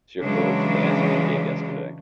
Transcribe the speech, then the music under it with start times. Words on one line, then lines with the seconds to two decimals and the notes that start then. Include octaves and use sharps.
She referred to the answer she gave yesterday.
0.21 C#3 E3 F#3 G#3 D4